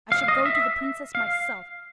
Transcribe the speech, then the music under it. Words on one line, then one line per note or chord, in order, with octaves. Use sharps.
I shall go to the princess myself.
F5
D#5
E5
F5